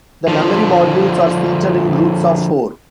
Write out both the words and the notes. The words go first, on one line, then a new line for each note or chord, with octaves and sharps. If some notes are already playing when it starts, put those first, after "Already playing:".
The memory modules are seated in groups of four.
D3 F3